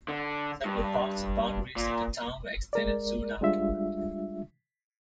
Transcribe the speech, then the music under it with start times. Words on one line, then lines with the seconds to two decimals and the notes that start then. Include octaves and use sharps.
Several parts of boundaries of the town were extended soon afterward.
0.08 D3
0.65 G2
1.76 A#2
2.73 G#3 A#4 D5
3.41 G3 G#3 D4 F4 E5